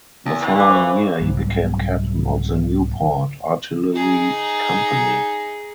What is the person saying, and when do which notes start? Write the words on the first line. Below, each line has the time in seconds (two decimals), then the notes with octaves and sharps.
The following year he became captain of the Newport Artillery Company.
0.25 E2
0.42 E3
0.56 F5 D6
0.69 C5 C#6
1.21 C2 G#2 F#3 G3
3.93 D#4 G#4